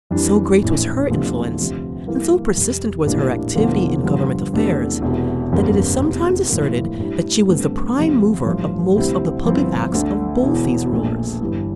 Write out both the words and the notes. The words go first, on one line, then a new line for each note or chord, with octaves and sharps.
So great was her influence and so persistent was her activity in government affairs, that it is sometimes asserted that she was the prime mover of most of the public acts of both these rulers.
F2 E3 G3 D4
A#1 A2 E3
E2 C3 F3 A3 D4
D2 C3 F3
G2 E3 A#3 E4
F2 C3 G3
A#1 A2 G3 A#3 D4
E1 E2 D3 F3 A#3
G2 D3 F3
E2 C3 E3 A3 D4
E1 E2 C3 E3
G1 F2 D3 G3 A#3
F1 E2 C3
A2 F3 A#3
A2 G3 D4
G1 G2 D3 A3 C4
D2 C3 F3 C4
A1 G2 F3
D2 C3 G3 C4 E4
G1 G2 F3 C4 E4
D2 D3 A3 D4
E1 E2 E3
A#1 A#2 A3
G1 G2 E3